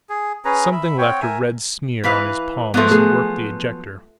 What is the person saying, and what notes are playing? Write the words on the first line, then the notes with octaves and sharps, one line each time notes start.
Something left a red smear on his palm as he worked the ejector.
G#4
C#4 G#4 B4 A#5
E5 B5
C4 C#5 F#5 G5
A#4 E5 G#5
E3 B4 F5
G#2 F3 F#3 A3 B3
G#4